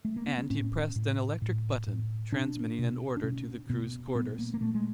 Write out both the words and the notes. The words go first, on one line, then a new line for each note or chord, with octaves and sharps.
And he pressed an electric button, transmitting an order to the crew's quarters.
A3
A#3
B3
C4
A2 C#4
A2
A2
A2
B2 D4
B2
D4
B2 C#4
B2 B3
A#2 B3
A#3
A#3
A#2 A3
G#3